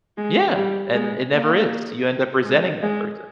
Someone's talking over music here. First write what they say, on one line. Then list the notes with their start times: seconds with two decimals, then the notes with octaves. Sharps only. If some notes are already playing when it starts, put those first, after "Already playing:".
Yeah, and it never is. You end up resenting that person.
0.18 G#3
0.56 G3
0.94 G#3
1.32 A#3
2.45 G#3
2.83 G#3